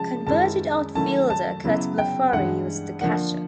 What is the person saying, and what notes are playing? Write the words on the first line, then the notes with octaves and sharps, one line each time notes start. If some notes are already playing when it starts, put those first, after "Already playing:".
Converted outfielder Curt Blefary was the catcher.
Already playing: C#3 F3 G#3 A5
F#2 D#3 G#3 C#4 E4 A5
D#3 F#3 A3 C#4 E4 A5
A5
C#3 F#3 B3 E4
G5
G2 E3 G#3 F#5
D3 F3 A#3 D4 F#5